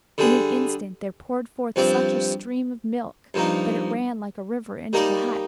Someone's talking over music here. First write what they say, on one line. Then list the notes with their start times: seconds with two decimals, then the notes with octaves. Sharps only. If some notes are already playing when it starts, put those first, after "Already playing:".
In an instant there poured forth such a stream of milk that it ran like a river into the hut.
0.18 D3 G3 D4 G#4
1.76 G2 F3 C4 G4 D5
3.34 G2 F3 A#3 D#4
4.93 G3 A#3 D#4 A#4 D5